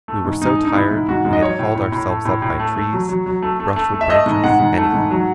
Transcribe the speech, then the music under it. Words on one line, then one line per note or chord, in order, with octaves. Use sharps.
We were so tired we had hauled ourselves up by trees, brushwood branches, anything.
A3
G#2
G#2 D#4
A3
D#4
G#2 E4
G#2
G#2 F#4
G#2
D#5
F#3 C#5
A2
A2
A2
A3
A2
A2
A3
A3
F#3
F#3
F#3
A3
A3
A3
A3
E5
A3 D#5
G#2
G#2 F#5
G#2
A3
G#2
F#3